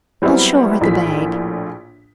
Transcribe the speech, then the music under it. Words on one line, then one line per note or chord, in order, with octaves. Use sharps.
"I'll show her the bag."
F#3 G3 B3 C4 E4
A#1 A2 F4 A#4 B6